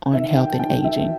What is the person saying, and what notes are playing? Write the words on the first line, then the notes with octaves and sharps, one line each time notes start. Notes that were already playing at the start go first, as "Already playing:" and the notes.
on health and aging
D#3 E5
G5
A5
D#3 G5
E5